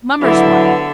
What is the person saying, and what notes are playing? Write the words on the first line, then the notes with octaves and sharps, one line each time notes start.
Mummer's wire.
D3 F#3 B3 E4 E5